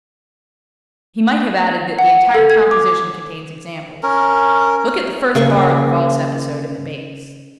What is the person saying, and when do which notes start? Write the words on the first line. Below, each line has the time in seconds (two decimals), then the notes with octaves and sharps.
He might have added that the entire composition contains examples--look at the first bar of the valse episode in the bass.
1.99 F#5
2.35 A4
2.50 G#6
2.71 D6
4.03 C#4 A#4
5.35 C#3 A#3 C#6